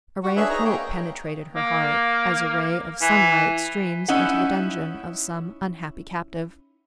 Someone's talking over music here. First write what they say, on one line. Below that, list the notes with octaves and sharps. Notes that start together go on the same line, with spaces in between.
A ray of hope penetrated her heart, as a ray of sunlight streams into the dungeon of some unhappy captive.
F#4
D4 G#4 B4 C#5 E5 B5
D#4 G#4 A#5
A#3 C#5 G5
A#3
E3
C#4 D#4 E4 F#5